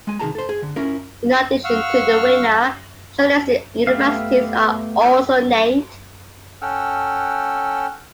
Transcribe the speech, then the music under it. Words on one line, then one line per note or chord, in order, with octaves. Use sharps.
In addition to the winner, shortlisted universities are also named.
G#3 G#5
C3 D#3 F4 G#4 A5 A#5
A4 C5
G#4
D3
C#4 E4 F4 A#4
F5 F#5 C#6 E6 F6
A3 B3 G4 E5 F5
C#4 A4 F#5 G5 E6 F6